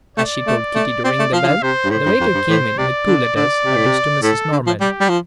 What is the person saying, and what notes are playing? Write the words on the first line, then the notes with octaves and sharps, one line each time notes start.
As she told Kitty to ring the bell, the waiter came in with two letters, addressed to Mrs. Norman.
A3 D5
A3
A3
C4 D5
A3
F3 F5
F3
D3
C3 C5
G2
A2 C5
G2
F2
G2
A2
C3 D5
D3
D3 D5
C3
A2
C3
A2 A4
D3
F3
G3 G4
G3
F3